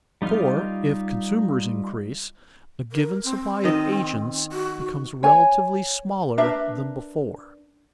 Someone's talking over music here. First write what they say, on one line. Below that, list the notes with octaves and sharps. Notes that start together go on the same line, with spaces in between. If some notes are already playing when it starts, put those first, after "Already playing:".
For, if consumers increase, a given supply of agents becomes relatively smaller than before.
G3 D#4 F4 G4 F6
A#4
C4
D#3 D#5
F#4
C#5 G#5
D4 A#4 B4 E5